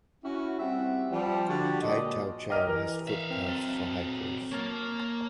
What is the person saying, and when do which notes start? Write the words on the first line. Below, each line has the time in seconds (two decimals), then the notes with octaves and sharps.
Tai Tau Chau has footpaths for hikers.
0.24 C#4 E4 F#4
0.60 G3 C4 G4 E5 F#5
1.11 F3 G3
1.48 D3 F#4 G4
1.81 A#2 D3 F#3 G#3 D5 D#5
2.50 G4 A#4 D#5 F6
2.67 E3 A#4
3.08 E5 F5
3.30 C4
3.48 F#3 A4
4.52 A#3 C#5 A5 F6